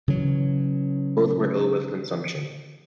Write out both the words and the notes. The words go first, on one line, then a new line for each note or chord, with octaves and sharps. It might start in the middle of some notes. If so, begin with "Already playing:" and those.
Both were ill with consumption.
C#3 E3 F#3